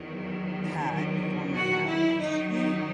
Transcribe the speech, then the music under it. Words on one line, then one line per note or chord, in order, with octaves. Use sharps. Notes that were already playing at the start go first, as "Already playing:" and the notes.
had, former now- and she,
Already playing: E2 D#3 F#3
F#4
E4
F#2 D#3 F#3 D#4
D#4